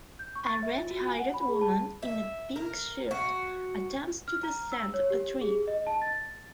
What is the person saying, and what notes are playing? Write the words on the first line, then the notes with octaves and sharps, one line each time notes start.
A redhaired woman in a pink shirt attempts to descend a tree.
G6
C#6
A6
E5
F4
F#4
G#5
F#5
B5
G#4
A5
E5
A#4
F#4
F6
A#5
E6
C#5
G4
G#4
D#5
A5
A6